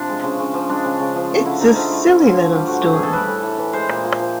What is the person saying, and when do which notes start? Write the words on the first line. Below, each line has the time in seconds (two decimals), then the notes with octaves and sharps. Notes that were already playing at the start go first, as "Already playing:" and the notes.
It's a silly little story.
Already playing: C3 F3 D4
0.09 G#3
0.23 C#3
0.40 C#3
0.54 F3
0.69 G#3 D4
0.85 C#3
1.00 C#3
1.15 F3
1.31 A3
1.45 D3 E4
1.61 D3 D#4
1.75 F3 F4
1.91 A3 E4
2.07 D3
2.22 D3 F4
2.37 F3
2.51 G3 G4
2.68 A2 F#4
2.82 A2 G4
2.93 E3 G#4
3.03 A4
3.12 G3 B4
3.28 A2
3.43 A2
3.58 E3
3.73 G#3 C5
3.89 A#2
4.05 A#2
4.19 F3